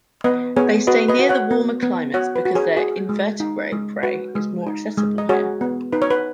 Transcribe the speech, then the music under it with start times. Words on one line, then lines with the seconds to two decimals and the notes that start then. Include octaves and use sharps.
They stay near the warmer climates because their invertebrate prey is more accessible here.
0.24 B3 B4 D#5
0.56 B3 G#4 C#5
0.87 F#4 B4 D#5
1.08 B4 D#5
1.19 F#4
1.29 C#5 F#5
1.51 B3
1.82 B3
2.14 F#4 C#5 F#5
2.36 B4
2.45 F#4
2.55 G#4 C#5
2.77 F#4 G#4
3.09 G#3
3.40 D#4
3.72 G#3
4.03 F#4 B4
4.35 G#3
4.67 D#4
4.97 G#3
5.18 D#5
5.29 F#4 G#4 C#5
5.61 B3
5.93 D#4 B4
6.02 C#5
6.10 B4